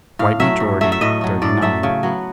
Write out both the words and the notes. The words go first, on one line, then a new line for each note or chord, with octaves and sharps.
White majority, thirty-nine.
A2 F5
F#3 A3 E5
A2
F#3 A3 E5
E5
A2 D#5
F#3 A3
A2 D5
F#3 A3 E5
C#3
F#3 B3